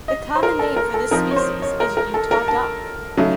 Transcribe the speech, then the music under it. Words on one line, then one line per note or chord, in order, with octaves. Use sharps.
The common name for this species is Utah dock.
D#5
C5
A#4
A4
A#4
A4
F3 C4 D#4 A#4
C#5
C5
C#5
A#4
A#4
A4
A#4
A5
C#3 F#3 A3 D#4